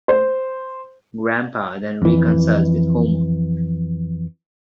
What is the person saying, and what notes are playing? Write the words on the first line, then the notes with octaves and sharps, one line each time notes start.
Grampa then reconciles with Homer.
C5
F2 E3